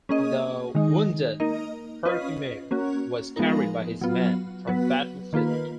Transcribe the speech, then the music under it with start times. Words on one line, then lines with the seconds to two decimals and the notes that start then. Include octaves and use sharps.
The wounded Herkimer was carried by his men from the battlefield.
0.09 A#3 C#4 G#4 D#5
0.75 D#3 G#3 D#4
1.40 A#3 D#4 A#4 D#5
2.05 C#4 F4 B4 D#5
2.71 A#3 C#4 F#4
3.36 F3 G#3 B3 D#4 A#4
4.01 F#3 B3 F4
4.67 F#3 B3 F#4 B4
5.33 D#3 A#3 F4 B4